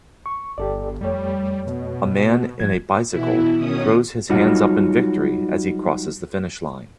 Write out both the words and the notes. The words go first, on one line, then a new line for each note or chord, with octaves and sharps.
A man in a bicycle throws his hands up in victory as he crosses the finish line.
C#6
G1 G4 A4 D5
F2 G3 A3 C#5
B2
E1 G#2 F3 G#6
B2 E3 E4
B2 D#3 C#4 D#6
F#3 G3 D#4 F4 F#4